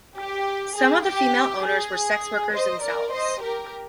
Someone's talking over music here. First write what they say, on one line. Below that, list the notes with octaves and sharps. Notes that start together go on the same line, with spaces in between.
Some of the female owners were sex workers themselves.
G4
G#4
G4
G#4
C5 D#5
A#4 D5
C5 D#5
G4 A#4